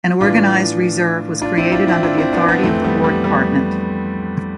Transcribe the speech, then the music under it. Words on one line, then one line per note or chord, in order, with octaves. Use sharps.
An organized reserve was created under the authority of the War Department.
A2 E3 D4 F4
D4 F4
C4 E4
D4 F4
C4 E4
D4 F4
C4 E4
B3 D4
B3 D4
F2 E3 A3 C4
G3 B3
G3
G3 B3